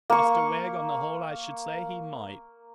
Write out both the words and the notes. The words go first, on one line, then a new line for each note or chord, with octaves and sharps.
'Mr Wegg, on the whole I should say he might.'
A#3 C#6